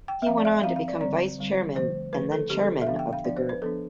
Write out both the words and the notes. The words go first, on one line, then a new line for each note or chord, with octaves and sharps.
He went on to become vice-chairman and then chairman of the group.
G5
E5
F3 C4 F5
D5
E5
F3 C4 F5
F5
D5
D3 G3 C4 D5
D3 G3 C4
D3 F3 A3 C5
D3 F3 A3 B4
A4
D3 F3 B3 D4 G4
A4
E5
D3 F3 B3 D4 F5
G5
F5
F3 B3 D4 D5
C5
B4
F3 B3 D4 A4